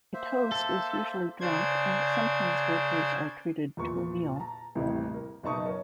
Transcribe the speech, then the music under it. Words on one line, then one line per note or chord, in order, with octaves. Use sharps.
A toast is usually drunk and sometimes workers are treated to a meal.
A#3 C5 E5
A4
C#3 D4 C5 G#6
E2 A#2 C6 C#6
A5 A#5
D#1 A1 A2 C3 E4
A#4
F#1 B2 D#4 A5 C#6 D#6
A#4 C#5